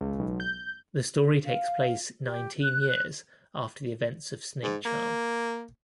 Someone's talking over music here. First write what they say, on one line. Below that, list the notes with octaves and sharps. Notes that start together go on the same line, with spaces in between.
The story takes place nineteen years after the events of "Snakecharm".
C#2
B1
G6
F5
G4
F#6
G#2
A#3